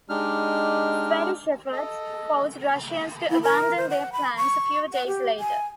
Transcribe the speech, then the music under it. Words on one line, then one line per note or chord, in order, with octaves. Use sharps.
Swedish efforts forced Russians to abandon their plans few days later.
G#3 D4 D#4 G4 F6
A4 D#5
E4
A#4
C5
F#5
B5
C#6
F#5
G4
G#5